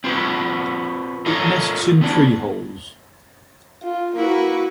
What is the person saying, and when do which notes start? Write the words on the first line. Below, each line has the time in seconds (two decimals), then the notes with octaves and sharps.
It nests in tree holes.
0.04 C4 F4 F#4 B4
1.26 F4 A4 A#4 C#5 D#5 F5
2.01 B3 C4 D4 E4
3.83 F4
4.17 A#3 E4 F#4 B4 F#5